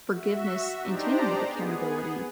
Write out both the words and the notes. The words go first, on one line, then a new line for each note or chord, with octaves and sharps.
forgiveness in tandem with accountability,
F#4 E5
D4 D#4 G4 C5 D5 A#5
B3 G#4